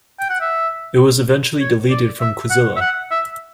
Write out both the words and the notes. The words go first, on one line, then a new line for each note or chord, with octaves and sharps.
It was eventually deleted from Quizilla.
G5
F#5
E5
C#5
D5
E5
F#5
E5
F#5
E5